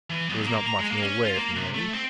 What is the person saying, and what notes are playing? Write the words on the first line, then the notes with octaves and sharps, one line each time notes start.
He was not marching away from the enemy.
E3
B1
A#3
A#5
G#3
A#3
C#4
F4
A#3
C3
A3
C4